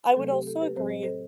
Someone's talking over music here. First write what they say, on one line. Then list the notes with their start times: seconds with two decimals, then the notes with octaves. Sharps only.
I would also agree
0.16 C3 F#3 A3 C4 A4
0.32 G4
0.47 A4
0.62 G4 B4
0.76 A2 F#3 C4 C5
0.90 D#5
1.03 A4 C5